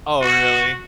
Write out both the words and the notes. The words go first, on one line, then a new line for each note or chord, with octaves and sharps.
Oh, really?
F#4